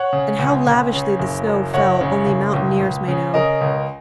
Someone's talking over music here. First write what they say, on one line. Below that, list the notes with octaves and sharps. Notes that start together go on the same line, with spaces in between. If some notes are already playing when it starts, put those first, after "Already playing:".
And how lavishly the snow fell only mountaineers may know.
Already playing: C#5 F#5
C#3
C#2
C#2
C#3
F#1
F#2
F#1 C#5 F#5
C#3
F#1
C#2
C#2
C#3
C#3 A#4 D#5
C#2